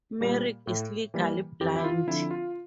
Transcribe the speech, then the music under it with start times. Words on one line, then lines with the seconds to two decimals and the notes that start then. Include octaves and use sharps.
Merrick is legally blind.
0.21 A#2 G3 A#3
0.67 A2
1.14 E3 G3 A#3
1.61 F2 G4
1.76 E4
1.84 F4
2.07 D3 F3 C4 E4
2.31 F4